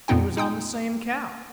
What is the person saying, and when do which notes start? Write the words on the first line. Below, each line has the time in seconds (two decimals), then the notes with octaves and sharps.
He was on the same couch.
0.08 F2 A#2 B3 D#4 G5
0.37 D#4 G5 D#6 G6